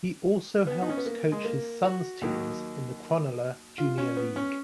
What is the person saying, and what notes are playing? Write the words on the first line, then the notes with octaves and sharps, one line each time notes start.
He also helps coach his sons' teams in the Cronulla junior league.
B3
D#4
C#4
B3
A#3
G#3
A#3
F#4
D#2 D#3 F#3
F4
C#4
B3
C#4